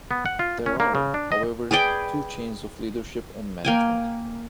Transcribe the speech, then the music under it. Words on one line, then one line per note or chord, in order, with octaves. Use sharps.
There are, however, two chains of leadership and management.
B3
F#5
F4
C#4
A#3
C#3
D4
D#5
G#4 B4 D5 G5
A#3 G5 G#5